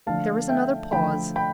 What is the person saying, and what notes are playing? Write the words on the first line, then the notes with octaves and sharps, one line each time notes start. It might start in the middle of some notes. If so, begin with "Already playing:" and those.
There was another pause.
D3 F3 A3 F5 A5
E5 G5
D3 F3 A3 G5 B5
G5 B5